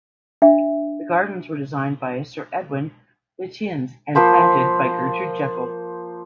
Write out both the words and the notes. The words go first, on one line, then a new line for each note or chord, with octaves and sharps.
The gardens were designed by Sir Edwin Lutyens and planted by Gertrude Jekyll.
D4 E5
F3 A#3 C5 B5